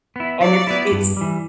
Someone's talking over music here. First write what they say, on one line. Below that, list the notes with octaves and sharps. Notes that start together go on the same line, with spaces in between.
and if it's
B3 E4
F#3 D5
B3 E4
G2
E3 G3